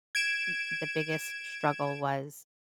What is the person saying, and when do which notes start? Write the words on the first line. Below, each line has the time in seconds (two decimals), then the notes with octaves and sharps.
m the biggest struggle was
0.15 G#6 D7 E7